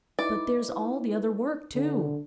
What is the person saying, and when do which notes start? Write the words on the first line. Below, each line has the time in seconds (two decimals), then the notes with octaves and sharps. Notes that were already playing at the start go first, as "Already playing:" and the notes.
"But there's all the other work, too."
0.19 D#4 E4 B4 D5
1.75 D3